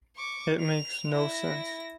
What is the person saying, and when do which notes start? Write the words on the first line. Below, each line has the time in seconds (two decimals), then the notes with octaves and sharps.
It makes no sense.
0.16 C#6 D6
0.61 F7
1.11 E4 A#6